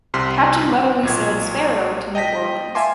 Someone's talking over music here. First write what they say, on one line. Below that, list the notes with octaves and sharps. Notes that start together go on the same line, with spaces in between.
Captain Weatherly sailed "Sparrow" to New Orleans.
C2 C3 C6 F6 B6
G1
B1 A#2 G#6
D#5 G5 A5 A#6 B6
E5 F5 G#5 A5 C6 D6